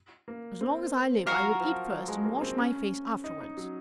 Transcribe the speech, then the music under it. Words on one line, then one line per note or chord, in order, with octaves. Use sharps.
"As long as I live I will eat first and wash my face afterwards."
A#3
C4
F#3 F#4 A#4 F5
F3
F#3
G#3
A#3
C4
C#4
D#4
D#4
F#3